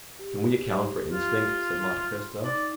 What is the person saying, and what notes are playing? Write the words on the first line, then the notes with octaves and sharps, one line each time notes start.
"Can we account for instinct?" said Monte Cristo.
G4
F4
C6
D#4 D5